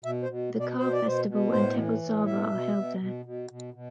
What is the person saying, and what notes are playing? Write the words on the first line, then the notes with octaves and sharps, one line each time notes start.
The car festival and 'Teppotsava' are held there.
B2 E5
C5
B2
B2
D5
B2 C5
D5
B2 C5
B2
A2 C5
E3
A2
B2 E5
B2
B2
B2
B2
B2
B2